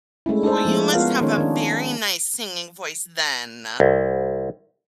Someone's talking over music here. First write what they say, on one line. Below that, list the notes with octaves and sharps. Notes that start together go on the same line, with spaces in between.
Ooh, you must have a very nice singing voice then.
G#3 A3 C#4 E4
D4 D#4 A4 C5
F3 G#3 A#3 E4
B3 F4 A#4 C#5 F5 F#5
D#3 A#3 C#4 D#4 C#5
D#3 C#4 D4
C2